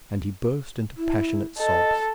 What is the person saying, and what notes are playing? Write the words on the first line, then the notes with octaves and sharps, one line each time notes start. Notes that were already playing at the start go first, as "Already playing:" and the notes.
And he burst into passionate sobs.
E4
A4 D#5